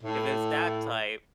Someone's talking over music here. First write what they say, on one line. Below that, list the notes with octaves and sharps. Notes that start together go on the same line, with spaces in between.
if it's that type,
A2